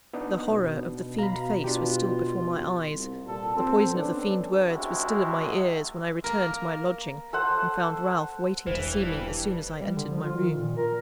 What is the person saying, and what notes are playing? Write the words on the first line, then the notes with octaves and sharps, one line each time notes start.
The horror of the fiend-face was still before my eyes, the poison of the fiend-words was still in my ears, when I returned to my lodging, and found Ralph waiting to see me as soon as I entered my room.
B3 D4 D#4
B2
F5 A#5 B5
D4 F4 G4
C2
A#2 G3 A4
C4 A4
B3 C#4 D4
G#1 C3 G#3 E4 F#4
A#3 A#4
A4 C5 F#5
E1 G2 E3 G3 C5
G3
D3
F3
F4
D#3
A#2
A#4